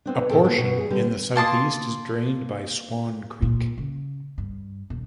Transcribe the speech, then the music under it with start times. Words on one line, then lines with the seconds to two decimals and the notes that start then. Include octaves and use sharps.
A portion in the southeast is drained by Swan Creek.
0.06 B3 C4 D4
0.29 G#2 B2 D#3 G#4 A4 G5
0.43 D3 A#3 B3
0.58 B2
0.78 E2 G#4
0.90 D3 G3 B3
1.36 A#3 A5 C6 D#6
3.42 A#2
3.78 C#3
4.38 G2
4.90 E1